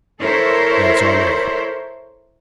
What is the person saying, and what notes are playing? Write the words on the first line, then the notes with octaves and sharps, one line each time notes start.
That's our man.'
E4 A4 A#4 C5 C#5 E5